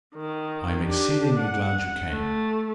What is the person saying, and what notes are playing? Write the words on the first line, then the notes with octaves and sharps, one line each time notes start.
I am exceedingly glad you came.
D#3
D4 G4
F#5
A3